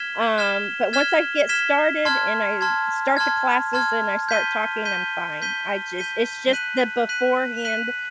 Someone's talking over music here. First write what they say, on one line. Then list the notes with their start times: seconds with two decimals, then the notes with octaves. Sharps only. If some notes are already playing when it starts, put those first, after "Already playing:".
um, but once I get started and I start the classes and I start talking, I'm fine. I just it's just the beforehand,
Already playing: F6 G#6 B6 E7 G7
0.38 F6 G#6 B6 E7 G7
0.93 F6 G#6 B6 E7 G7
1.49 F6 G#6 B6 E7 G7
2.05 A5 C6 F6 G#6
2.61 A5 C6 F6 G#6
3.17 A5 C6 F6 G#6
3.73 A5 C6 F6 G#6
4.29 G6 B6 D#7 G7
4.85 G6 B6 D#7 G7
5.42 G6 B6 D#7 G7
5.98 G6 B6 D#7 G7
6.53 F#6 B6 D#7 F#7
7.09 F#6 B6 D#7 F#7
7.65 F#6 B6 D#7 F#7